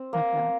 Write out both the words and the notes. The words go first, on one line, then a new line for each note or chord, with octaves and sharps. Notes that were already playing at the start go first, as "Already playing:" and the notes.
Love that.
Already playing: C4
A#3